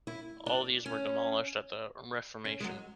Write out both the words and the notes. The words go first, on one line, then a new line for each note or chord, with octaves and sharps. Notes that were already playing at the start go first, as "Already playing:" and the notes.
All these were demolished at the Reformation.
E4
D4
C#4
C#4
G#3
F#3